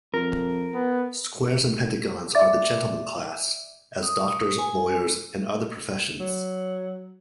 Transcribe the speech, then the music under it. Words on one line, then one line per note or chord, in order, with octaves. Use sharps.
Squares and Pentagons are the "gentlemen" class, as doctors, lawyers, and other professions.
F2 A#4
B3
D5 E5 D6 A6
D#6
G#5
F#3